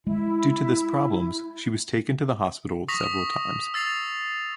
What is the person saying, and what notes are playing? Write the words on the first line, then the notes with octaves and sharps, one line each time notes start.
Due to this problems, she was taken to the hospital several times.
G#3 E4
C#6 D#6 A#6 B6 F7
E6 A6 C7 F7